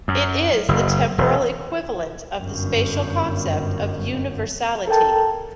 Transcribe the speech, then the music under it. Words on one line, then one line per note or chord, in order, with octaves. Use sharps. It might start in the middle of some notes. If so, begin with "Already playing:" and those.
It is the temporal equivalent of the spatial concept of universality.
F#2
F#1
E1
G1 F#2
A4 A#4 G5 A5